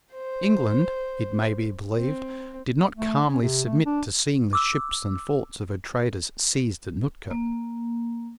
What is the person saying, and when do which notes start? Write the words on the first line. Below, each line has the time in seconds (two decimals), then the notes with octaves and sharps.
England, it may be believed, did not calmly submit to seeing the ships and forts of her traders seized at Nootka.
0.14 C5
1.96 C4
2.97 A3
3.29 C#4
3.41 C3
3.65 A3
3.86 D4
4.53 D6 E6
7.31 A#3